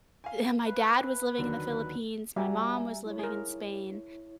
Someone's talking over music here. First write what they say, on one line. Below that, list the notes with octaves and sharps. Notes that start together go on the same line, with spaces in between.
and my dad was living in the Philippines, my mom was living in Spain,
F5 G#5
B4
D#2 D3 F#3
G3 F#4 E5 G#5 A#5
E4 C#5
G#4 A#4